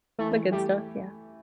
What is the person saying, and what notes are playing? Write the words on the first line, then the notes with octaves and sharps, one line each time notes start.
The good stuff, yeah.
E3 A3
G3 A3